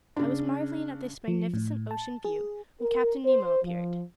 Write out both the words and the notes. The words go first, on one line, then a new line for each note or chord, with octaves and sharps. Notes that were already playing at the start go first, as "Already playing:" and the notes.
I was marveling at this magnificent ocean view when Captain Nemo appeared.
C#3 D4
F3
A2
A5
G#4
A#4
C5
F3